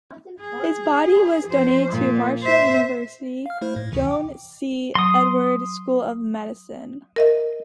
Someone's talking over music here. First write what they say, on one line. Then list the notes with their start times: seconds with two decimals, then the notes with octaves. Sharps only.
His body was donated to Marshall University's Joan C. Edwards School of Medicine.
0.40 G#4
1.46 F3 C5
1.92 A#2
2.43 C5 E5
3.46 F5 F6
3.62 A3 E4 C5
3.76 A2
3.92 D2 C3 E3
4.07 G5 D6
4.95 F#3 C6 D#6
7.16 A#4 D#5 E5